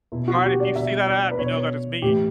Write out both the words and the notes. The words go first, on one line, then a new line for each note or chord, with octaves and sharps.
Alright, if you see that app, you know that it's me.
B2 E4
F#4
G4
D5
B2 E5
D5
B4
B2 C#5
A2 E3 G4